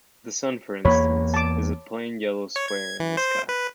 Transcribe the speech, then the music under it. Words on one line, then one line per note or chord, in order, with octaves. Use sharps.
The Sun for instance, is a plain yellow square in the sky.
E2 A#3 C#5 B5
A5 D6
C#5
G#6
E3
C5
B4